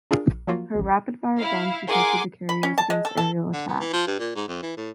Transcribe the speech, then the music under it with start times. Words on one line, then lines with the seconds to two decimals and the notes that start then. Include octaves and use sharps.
Her rapid-fire guns protected the carriers against aerial attack.
0.11 D4 F4 G#4 A#4
0.28 A#1
0.47 F3 F#3 A#3 F4 F#4
0.75 A1 D2
1.38 E4 F5
1.87 G#4 A#4 F#5 G#5 C6 D6
2.49 B5
2.63 C#4
2.78 A5
2.90 G#3
3.05 A4
3.17 A4
3.53 D3
3.68 B3
3.80 E3
3.93 F3
4.07 G2
4.19 A#2
4.36 G#2
4.48 F2
4.63 E3
4.77 A2